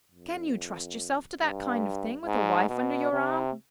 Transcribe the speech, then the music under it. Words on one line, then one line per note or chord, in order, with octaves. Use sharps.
Can you trust yourself to that kind of thing, with a wife under your arm?
F2
G2
G#2
B2
C3